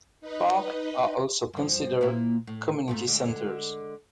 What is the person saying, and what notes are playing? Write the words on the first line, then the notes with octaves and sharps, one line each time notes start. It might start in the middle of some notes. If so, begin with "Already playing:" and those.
Parks are also considered community centres.
D#4 B4 D#5
G2 F3
A#2 A#3 E4
A2
G#2 A3 F4
D3 G#3